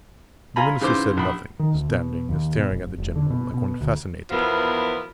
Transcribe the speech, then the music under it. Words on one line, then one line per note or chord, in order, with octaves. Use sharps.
The minister said nothing, standing and staring at the general like one fascinated.
F4 G#5 A#5 B5
G#2 C#3 E3 C5 D6
A#1 B5
D#3
D2
B2
D#2
B2
F1
E1
D3
B2
B2
D2
E2 F3 B3 F#4 A#4